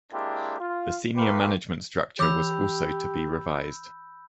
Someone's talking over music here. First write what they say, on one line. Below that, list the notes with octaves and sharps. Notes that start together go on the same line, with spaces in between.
The senior management structure was also to be revised.
G#3 A#3 C4 D4 E4 G4
F4
A3 F4 G4 A#4 B4
E3 G4 B5 D6 E6 G6